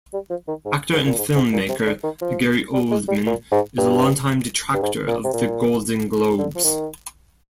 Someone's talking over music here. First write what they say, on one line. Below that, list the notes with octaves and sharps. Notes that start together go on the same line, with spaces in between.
Actor and filmmaker Gary Oldman is a longtime detractor of the Golden Globes.
G3
F3
D#3
G#2
G#2
A#2
G#2
G#2
A#2
C3
D3
D#3
F3
G3
G#3
G3
A#2
G#2
G2
G2
G#2
A#2
C3
A#2
D3
F3
D#3